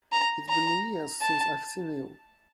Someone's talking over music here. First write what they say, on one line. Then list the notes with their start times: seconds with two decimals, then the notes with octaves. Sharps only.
It's been years since I've seen you!
0.12 A#5
0.49 A#5
1.21 A5